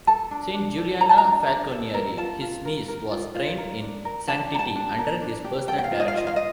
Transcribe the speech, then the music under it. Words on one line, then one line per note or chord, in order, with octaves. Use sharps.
Saint Juliana Falconieri, his niece, was trained in sanctity under his personal direction.
A4 A5
D4
D4
A4
A4 A#5
A5
A#5
D4
D4
A4
A#4
F4 A5
F4
A#4
A#4
F4
F4
A#4
D4
A#4
D4 A5
G4 A#5
A5
D4
A#4
D4
G4
A4 G5
G5
F5
F4
D#5
F5
F4 D#5
F5
D#5